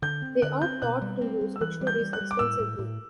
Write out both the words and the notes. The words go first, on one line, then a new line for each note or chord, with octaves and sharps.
They are taught to use dictionaries extensively.
D3 G6
C4
D3 F#6
C4 G6
B2 F#6
G3
C4
G3
E6
E3 F#6
G3
G6
G3
F#6
G3
D6
A2 E6
A2
A2